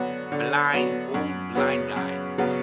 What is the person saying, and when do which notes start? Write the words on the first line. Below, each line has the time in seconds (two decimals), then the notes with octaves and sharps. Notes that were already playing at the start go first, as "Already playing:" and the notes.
blind old blind guy,
Already playing: D3 F#3 B3 F#4
0.32 D3
0.73 F#3 B3 F#4
1.14 F#2
1.55 C#3 F#3 B3
1.96 F#2
2.38 C#3 F#3 B3